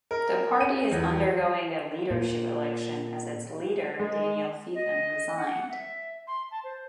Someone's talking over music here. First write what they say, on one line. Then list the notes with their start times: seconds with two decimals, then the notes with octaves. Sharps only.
The party is undergoing a leadership election as its leader, Daniel Feetham resigned.
0.11 A#4
0.61 D#7
0.91 E2
2.11 A#2
4.00 G#3
4.75 D#5
5.37 F#5
5.71 E5
6.27 C6
6.51 A5
6.64 C5